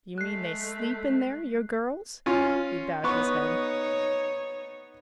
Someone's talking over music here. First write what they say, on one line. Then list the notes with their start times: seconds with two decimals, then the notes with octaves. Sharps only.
"You mean they sleep in there,--your girls?" He bowed his head.
0.18 G#3 A3 F#6 C7
2.26 C#4 F4
3.04 B3 D#4 C#5 C#6